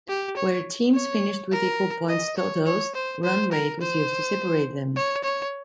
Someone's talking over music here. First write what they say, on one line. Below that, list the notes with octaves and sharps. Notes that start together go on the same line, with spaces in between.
Where teams finished with equal points totals, run rate was used to separate them.
G4
C#5
C#5
A#4
D#5
C#5
C#5
C5
C5
A#4
C5
C#5
C#5